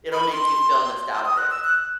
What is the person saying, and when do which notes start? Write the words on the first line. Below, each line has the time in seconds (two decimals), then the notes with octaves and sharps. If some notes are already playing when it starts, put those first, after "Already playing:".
It'll make you feel nostalgic.
0.12 B5
0.33 C6
1.11 C6
1.25 D#6
1.37 F#6
1.51 E6
1.64 F#6